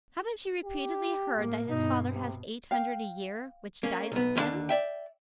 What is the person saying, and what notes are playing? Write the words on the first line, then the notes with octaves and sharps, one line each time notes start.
'Haven't you repeatedly heard that his father has eight hundred a year, which dies with him?
G4
A2 A#3
G2 B2 D#4
C3
F5 G5
A#3 C#4
B1 B3
D#2 A2 D3 D4 A5
D5 E5 G5